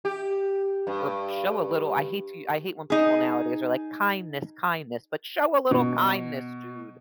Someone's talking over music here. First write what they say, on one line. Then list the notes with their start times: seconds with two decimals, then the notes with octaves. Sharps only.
or p show a little I hate to u I hate when people nowadays are like, "Kindness, kindness," but show a little kindness, dude!
0.05 G4
0.87 G2
2.90 D#4 G#4
5.71 B2